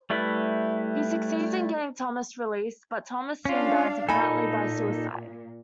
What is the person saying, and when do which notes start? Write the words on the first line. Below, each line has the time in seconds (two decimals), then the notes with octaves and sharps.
He succeeds in getting Thomas released, but Thomas soon dies, apparently by suicide.
0.10 G3 A3 E4 B4
3.45 C#4 D4 F4 F5
4.09 A#2 D#4 A4 G#5 B5